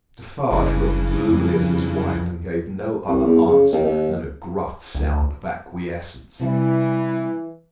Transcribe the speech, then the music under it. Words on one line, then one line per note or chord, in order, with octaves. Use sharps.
Defarge looked gloomily at his wife, and gave no other answer than a gruff sound of acquiescence.
F#1 G2 C#3 E3
F2
C2
E2
C#3
D#2
D#2
D2
C3 E3 G3